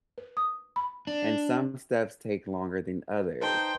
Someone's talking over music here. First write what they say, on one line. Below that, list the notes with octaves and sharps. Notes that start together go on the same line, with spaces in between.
and some steps take longer than others,
B4
D#6
B5
D4
D#4 B4 C5 G5 A5 C6